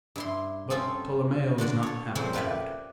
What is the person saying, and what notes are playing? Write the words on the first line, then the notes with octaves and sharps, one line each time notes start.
But Tolomeo is not half bad.
G2 E4 C6
C4 C#4 F4 A4
D3 D4 F#4 D5
A4 C#5
F2 A#2 C#3 F3 C4 C5
G4 A#4 B4 D5 E5